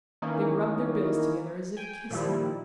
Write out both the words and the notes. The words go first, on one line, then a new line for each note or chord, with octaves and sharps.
They rubbed their bills together as if kissing.
D#3 E3 A#3 C#4 D#4
G5 G#5
A#2 D#3 F3 G3 E4